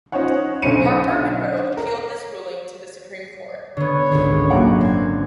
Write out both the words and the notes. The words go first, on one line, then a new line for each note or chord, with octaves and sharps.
Harper and Row appealed this ruling to the Supreme Court.
C#4 D#4 F4 C5 C#5 F#5
B1 D3 C#4 C5 C#7 D#7
A#4
D3 B3 C#5
G#1 C#2 D3
F#2 A#2 F#5 D6
C4 G#6